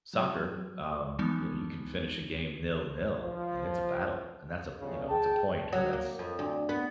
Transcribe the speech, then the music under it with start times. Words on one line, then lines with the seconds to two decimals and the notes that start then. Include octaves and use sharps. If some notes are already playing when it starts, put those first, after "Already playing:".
soccer, um, you know, you can finish a game nil nil, and it's a battle, and that's a, you know, it's a point or that's,
0.14 F#3
1.19 E3 F3 G3 G#3 B3 D#4
3.22 F3
4.80 G1 C#3
5.09 G#4 G5 A5
5.73 F#3
5.93 A#3
6.19 F2
6.39 D2
6.69 B3